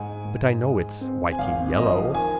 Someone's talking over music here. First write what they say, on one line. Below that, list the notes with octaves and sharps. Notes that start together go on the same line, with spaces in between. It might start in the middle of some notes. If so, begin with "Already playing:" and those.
But I know it's whitey yellow.
Already playing: G#2 G#5
G#2
G#3
C4
G#5
G#1 F5
F3 D#5
D#3 G#5